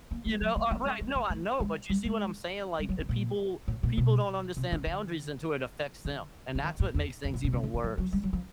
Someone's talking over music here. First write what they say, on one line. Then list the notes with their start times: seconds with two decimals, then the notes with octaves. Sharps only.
you know, uh, right, no, I know, but you see what I'm saying? Like, if people people don't understand boundaries until it affects them. And that's what makes things even worse.
0.11 A#3
0.26 G#3
0.41 F#3
0.56 A3
0.71 A3
0.82 A#3
0.86 A3
1.01 G#3
1.15 A3
1.30 A3
1.60 G#3
1.90 G3
2.05 G#3
2.79 G3
2.89 F#3
2.99 D#3
3.09 A#2
3.68 A2
3.83 A#2
3.97 B2
4.57 C3
4.72 D3
4.86 D3
6.05 D#3
6.55 E3
6.64 D#3
6.80 A2
6.94 E2
7.24 F2
7.34 A2
7.44 A#2
7.53 C3
7.63 C#3
7.74 D#3
7.84 F3
7.98 F#3
8.13 G3
8.23 F#3
8.33 F3